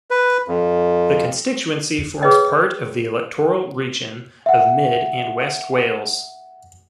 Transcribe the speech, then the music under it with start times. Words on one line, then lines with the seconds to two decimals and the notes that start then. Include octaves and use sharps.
The constituency forms part of the electoral region of Mid and West Wales.
0.11 B4
0.48 F2
2.22 G#4 B4 C#5 D#5 G5
4.46 E5 F#5